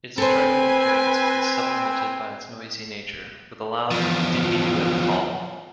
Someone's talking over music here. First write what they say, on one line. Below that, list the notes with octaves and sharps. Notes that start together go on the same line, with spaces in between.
Its striking appearance is supplemented by its noisy nature, with a loud "did-he-do-it" call.
C4 A4 B4 C5 G#5
E2 F3